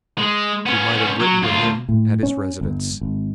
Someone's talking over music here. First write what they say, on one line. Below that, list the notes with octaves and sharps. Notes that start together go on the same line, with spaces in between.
She might have written to him at his residence.
G#3
B3 C#4
F#3
D2 F4
A2
C#4
G1
G#1